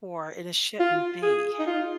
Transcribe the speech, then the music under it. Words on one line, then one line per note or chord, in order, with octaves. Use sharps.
or it, uh, shouldn't be.
F4
G#4
D#4
F4